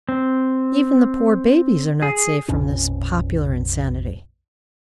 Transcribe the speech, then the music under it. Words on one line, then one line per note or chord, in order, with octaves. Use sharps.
Even the poor babies are not safe from this popular insanity.
C4
G#4
A#1 F2 B2 C#4